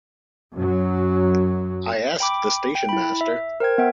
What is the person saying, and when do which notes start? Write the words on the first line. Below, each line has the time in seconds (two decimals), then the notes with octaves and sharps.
I asked the station-master.
0.55 F#2 F#3
2.20 G5 B5 D6
2.75 G5
2.89 E4 B5
3.21 E5
3.60 A#4 C5 G5 G#6
3.78 B3 E5 G5